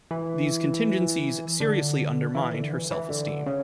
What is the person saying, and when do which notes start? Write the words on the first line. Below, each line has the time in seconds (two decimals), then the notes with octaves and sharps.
These contingencies seriously undermined her self-esteem.
0.11 E3
1.60 D3
2.35 E3
2.54 D3
2.73 E3
2.91 E3
3.10 D3
3.46 C#3